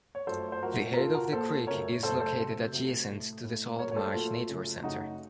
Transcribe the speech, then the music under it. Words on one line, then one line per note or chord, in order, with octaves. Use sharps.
The head of the creek is located adjacent to the Salt Marsh Nature Center.
C#5
F#2 F3 A3 A4 C5
C5
F#2 F3 A3 F#4 A#4
A#4
A#2 F3 A#3 F4 A4
F#4 A#4
A#2 F3 A#3 A4 C5
F#2 C#3 A3 A#4 C#5
F#2 C#3 A3 A4 C5
A4 C5
C3 F#3 A3
C3 F#3 A3
A2 A3
A2 A3
A#2 F#3 A3 A#4 C#5
C#5
A4 C5
A#2 F#3 A3 F4 A4
F#2 C#3 A3
F#2 C#3 A3 D#4 F#4